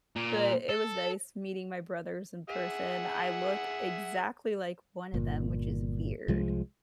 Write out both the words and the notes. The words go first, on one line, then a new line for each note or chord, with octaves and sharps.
but it was nice meeting my brothers in person. I look exactly like one of them, which is weird.
A#2
A4
G#4 E5 F#5
G1 A#2
C2 F3 G#3